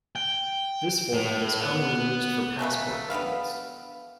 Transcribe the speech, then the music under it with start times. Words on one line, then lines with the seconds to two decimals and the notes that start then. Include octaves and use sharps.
This format is commonly used for passport booklets.
0.16 G5
1.13 A2
1.60 B3
2.59 C#3 A3 A#3 C#4
3.10 B3 D4 G4 F5